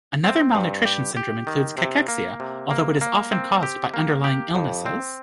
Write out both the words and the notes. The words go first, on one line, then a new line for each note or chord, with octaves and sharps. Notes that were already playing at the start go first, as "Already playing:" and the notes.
Another malnutrition syndrome includes cachexia, although it is often caused by underlying illnesses.
C4
G2
G4
G4
D#3
C3
A#3
C3
A#3
A#3
C4
G4
A#3
G4
F2
C4